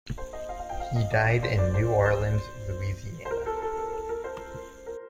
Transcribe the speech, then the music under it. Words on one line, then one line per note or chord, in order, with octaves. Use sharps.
He died in New Orleans, Louisiana.
C5
D#5
F5
F5
G5
F5
D#5
D5
C5
D5
C5
C5
C5
A#4
A4
A4
A4
A4
A#4
C5
A#4